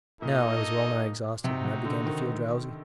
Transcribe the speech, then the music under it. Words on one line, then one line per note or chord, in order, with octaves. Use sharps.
Now I was well-nigh exhausted, and began to feel drowsy.
A#2 A#3 D#4 A4 D#5
C3 C4 D#4 F#4
C3
D3
D#3